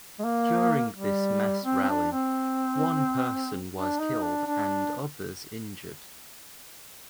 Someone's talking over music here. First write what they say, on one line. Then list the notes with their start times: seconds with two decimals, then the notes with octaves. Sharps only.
During this mass rally, one person was killed and others injured.
0.19 G#3
0.24 A#3
0.94 G3
1.65 C4
1.83 C4
1.89 D4
2.12 C4
3.75 D4
3.99 D#4
4.23 D4
4.46 D4